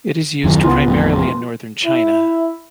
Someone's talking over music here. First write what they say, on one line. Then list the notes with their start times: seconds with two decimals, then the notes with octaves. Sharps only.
It is used primarily in northern China.
0.44 D#1 F#2 D#3
0.63 C#2 B3 F4
0.86 A1 F2
1.85 E4